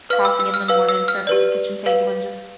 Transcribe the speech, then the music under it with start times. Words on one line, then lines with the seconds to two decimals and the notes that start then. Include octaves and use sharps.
coffee in the morning, instead of the kitchen table and just
0.10 B4 F5 F6
0.25 E6
0.40 E6
0.54 F6
0.68 B4 F5 E6
0.89 E6
1.08 F6
1.27 G4 B4 D5
1.86 B4 F5